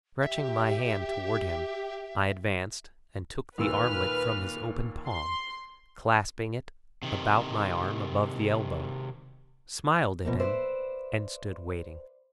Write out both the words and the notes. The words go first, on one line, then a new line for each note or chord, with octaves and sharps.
Stretching my hand toward him, I advanced and took the armlet from his open palm, clasping it about my arm above the elbow; smiled at him and stood waiting.
G4 E5
D#2 A#2 B4 E6 F6
C6
C3 D#3
B2 F3 A#3
B4 C5 D5 E5